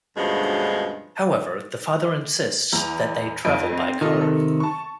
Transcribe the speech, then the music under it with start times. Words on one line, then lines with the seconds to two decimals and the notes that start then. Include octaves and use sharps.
However, the father insists that they travel by car.
0.17 D2 G2 B2 F3 G#3 C#4
2.73 E2 F7
3.45 F2 D#4 D7
3.73 C4
4.01 C3 D#3 F4 A4 D#5
4.21 A4
4.60 A5 C#6